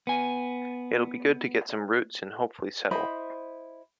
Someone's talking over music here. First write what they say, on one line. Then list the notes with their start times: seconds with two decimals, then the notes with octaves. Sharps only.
It'll be good to get some roots and hopefully settle.
0.07 B3 G#5
2.91 E4 C5 D#5 B5